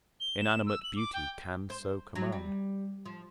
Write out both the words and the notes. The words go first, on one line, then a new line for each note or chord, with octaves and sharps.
Inanimate beauty can so command.
G7
E7
E6
F#7
D6
G5
C5
F#3
G3
F3